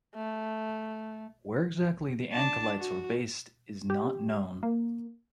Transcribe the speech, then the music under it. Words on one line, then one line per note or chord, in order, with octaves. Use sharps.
Where exactly the Ancalites were based is not known.
A3
D4 A5
F#4
G4
A#3